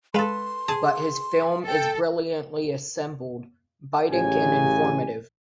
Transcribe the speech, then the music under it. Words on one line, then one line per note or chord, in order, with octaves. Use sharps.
But his film is brilliantly assembled, biting and informative.
G#3 A4 B4 F5 C6
G#4 A5
A4 G5
A1 C#3 G4 G#5